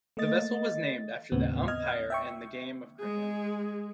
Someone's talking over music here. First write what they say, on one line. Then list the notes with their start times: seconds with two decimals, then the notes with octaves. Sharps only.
The vessel was named after the umpire in the game of cricket.
0.17 A3 A#3 D#5 A6
1.32 D#2 A2 C#3 B3 C4
1.68 D#5 F6 G#6
2.10 E5 G5 C#6
3.00 G#3 G#4